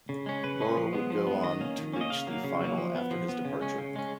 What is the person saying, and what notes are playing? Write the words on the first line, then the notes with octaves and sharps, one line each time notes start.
Boro would go on to reach the final after his departure.
C#3
G#3 C#4
C#3 B4
G#3 C#4
F3
G#3 B3
F3
G#3 B3
D#3 D#5
A#3 C#4
D#3
A#3 C#4
D#5
C#3 F5
F#3 A#3
C#3
F#3 A#3
F3
B3
F3
B3
C#3
G#3 C#4
C#3
G#3 C#4